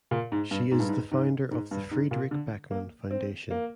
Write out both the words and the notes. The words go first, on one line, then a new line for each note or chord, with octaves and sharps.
She is the founder of Friedrich Beckmann Foundation.
A#2
G#2
G2
G#2
G2
G#2
G#2
G#2
G2
G#2
A#2
D3
A#3
C4
A#3